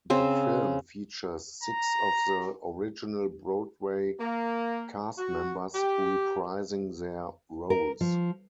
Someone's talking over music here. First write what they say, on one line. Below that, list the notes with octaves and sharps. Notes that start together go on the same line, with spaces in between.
The film features six of the original Broadway cast members reprising their roles.
C#3 C4 C5
A#5
A#3
F#4
G4
A#4
F3